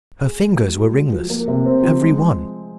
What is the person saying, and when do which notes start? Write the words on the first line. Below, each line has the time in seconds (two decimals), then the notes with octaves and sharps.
Her fingers were ringless, every one.
0.23 G#4
0.42 G#3
0.59 F#4
0.77 G#3
0.95 F#4
1.13 F3
1.30 A#3
1.48 C3
1.66 C4
1.83 F3
2.01 G#3